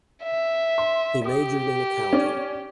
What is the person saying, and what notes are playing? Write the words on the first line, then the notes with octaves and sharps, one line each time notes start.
He majored in accounting.
E5
C6
G4 D#6
C#4 D5